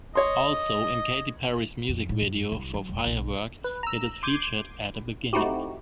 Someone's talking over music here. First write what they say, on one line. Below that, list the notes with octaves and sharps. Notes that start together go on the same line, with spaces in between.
Also, in Katy Perry's music video for "Firework", it is featured at the beginning.
C#5 D#5 C6
F2
A2
F#2
C2
F#3
E1
B1
B4
A#5 E6
C6 D6 G6 G#6 D#7
A3 C4 D#4 E4 F#4 G4